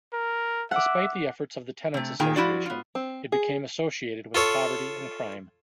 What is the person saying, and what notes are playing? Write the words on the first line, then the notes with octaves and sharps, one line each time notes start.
Despite the efforts of the Tenants Association, it became associated with poverty and crime.
A#4
E5 F#5 D6
C3 A3
A#2 D#3 G#4 G5 A#5
F3 E4 F#4 D5
B3 F4
C4
G#4
F4 A4 C#5